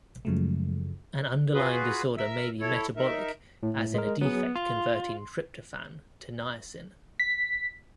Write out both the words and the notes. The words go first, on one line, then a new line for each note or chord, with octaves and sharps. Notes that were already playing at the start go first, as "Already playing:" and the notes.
An underlying disorder may be metabolic as in a defect converting tryptophan to niacin.
F#2 C#3 F3 F#3 G#3 A3
F4 F#4 G#4 B4
A#4 E5 E6
E4 A4 C#5
D#4 A#4 E5
A2
G#3 A#4
F#3 B3 G#4
F4 C6
B6